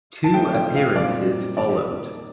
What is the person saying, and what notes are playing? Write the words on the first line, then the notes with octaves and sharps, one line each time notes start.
Two appearances followed.
A5
F3 A3 C4 D#4 G5
G5
F5
A#2 G3 C4 D#4 D5
D#3 A#3 D#4 D5